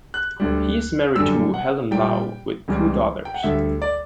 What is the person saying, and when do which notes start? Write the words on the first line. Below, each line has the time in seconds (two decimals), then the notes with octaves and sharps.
He is married to Helen Lau with two daughters.
0.14 F#6
0.40 D2 D3 G3
1.15 F#2 D3 G3 E6
1.54 F#5
1.91 A#2 G3 G5
2.68 C#2 C#3 E3 G3
3.25 G5
3.34 F#5
3.43 D2 D3 G3 E5
3.82 D5